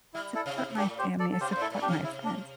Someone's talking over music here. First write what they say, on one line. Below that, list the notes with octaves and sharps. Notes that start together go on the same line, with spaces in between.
support my family. I support my friends.
G3 E4
E4 A4
C3
E4
A2 D4 G4
G4 C5
A4 D5
A4
C3 G4 C5
A2 C5
E4 A4
A2
D4 G4
C3
E4
D4